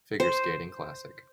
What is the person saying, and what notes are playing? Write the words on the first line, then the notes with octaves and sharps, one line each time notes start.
Figure Skating Classic.
C5